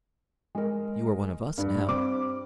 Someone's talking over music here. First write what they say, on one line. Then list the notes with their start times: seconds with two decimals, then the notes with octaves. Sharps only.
You are one of us now.
0.55 G#3 A#4
1.58 G2
1.87 C4 D6